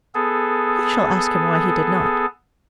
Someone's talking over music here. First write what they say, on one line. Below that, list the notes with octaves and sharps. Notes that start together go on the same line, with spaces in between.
I shall ask him why he did not.
B3 G#4 A4